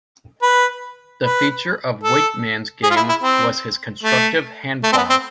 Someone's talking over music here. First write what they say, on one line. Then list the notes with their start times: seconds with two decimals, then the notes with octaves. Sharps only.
The feature of Weightman's game was his constructive handball.
0.42 B4
1.23 B4
2.04 A4
2.83 G#4
2.91 F4
2.96 E4
3.09 E4
3.23 C4
4.03 A3
4.84 A3
4.93 C4
4.97 B3
5.10 C4